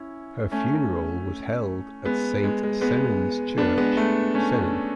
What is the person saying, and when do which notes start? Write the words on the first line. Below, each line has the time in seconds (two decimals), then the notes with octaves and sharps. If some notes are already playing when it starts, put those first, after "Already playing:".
Her funeral was held at Saint Sennen's Church, Sennen.
Already playing: C#4 E4
0.52 A3 C#4
2.05 G#3 B3
2.44 G#3
2.64 G#3
2.81 G#3 B3
3.58 B3 D4
3.78 G#3 B3
3.97 A3
4.34 A3 C#4